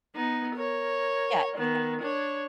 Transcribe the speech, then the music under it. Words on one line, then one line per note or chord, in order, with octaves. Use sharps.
yeah, it's kinda like that
B3 D#4
A#4 C#5
D#3 B3
D4 C#5